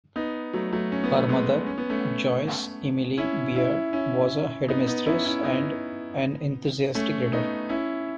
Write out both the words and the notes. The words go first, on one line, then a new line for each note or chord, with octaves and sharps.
Her mother, Joyce Emily Beard, was a headmistress and an enthusiastic reader.
B3 D#4
F#3 A3
F#3 A3
C#4
B3
A3
G#3 B3
C#4
B3
A3 C#4
C#4 E4
C#4 E4
C#4 E4
B3 D#4
B3 D#4
C#4 E4
C#4 E4
B3 D#4
A3 C#4
B3 D#4
C#4 E4